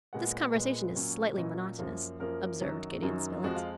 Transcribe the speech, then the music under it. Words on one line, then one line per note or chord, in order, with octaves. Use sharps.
"This conversation is slightly monotonous," observed Gideon Spilett.
A#2 G#3 B3 F#5
A#2 G#3 B3
A#2 F#3 C#4
A#2 F#3 C#4 D#5
F#2 F3 A#3
F#2 F3 A#3 A#4
F#2 D#3 F#3
F#2 D#3 F#3
F2 F3 G#3 F#4
F4